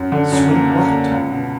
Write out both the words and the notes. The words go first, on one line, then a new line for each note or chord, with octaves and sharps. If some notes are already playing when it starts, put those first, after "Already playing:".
"Swear what?"
Already playing: F#2
D3
F#2
A#3
A#3
A#3
C#2
B2